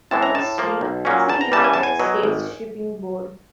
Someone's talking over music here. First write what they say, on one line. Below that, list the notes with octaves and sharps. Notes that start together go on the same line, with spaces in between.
For a history, see United States Shipping Board.
A2 E3 G#3 A5
A#5
A2 A5
F3 A#3
B1
A#2 F#3 A#3 C#4
E2 A5
A#5
C#3 E3 G3 A5
G#5
E2 A5
G#5
B2 F#3
G#1